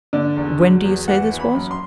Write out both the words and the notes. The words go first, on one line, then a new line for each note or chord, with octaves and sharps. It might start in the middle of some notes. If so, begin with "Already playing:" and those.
"When do you say this was?"
D3 D5
E2
F#3
E2
E3 F#5
E3
B5
F#2
C6